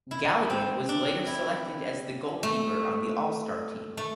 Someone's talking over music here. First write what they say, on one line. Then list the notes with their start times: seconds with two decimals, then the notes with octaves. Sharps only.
Galligan was later selected as the goalkeeper on the All Star team.
0.11 E4
0.50 C4
0.89 D4
1.27 E4
2.43 A3
3.97 A3